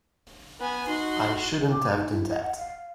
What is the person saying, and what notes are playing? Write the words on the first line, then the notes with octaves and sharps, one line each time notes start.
I shouldn't have done that.
B3 G#5
D#4 F#4 C6
G#4
D6
D#4
E4
D#5
F#5
F5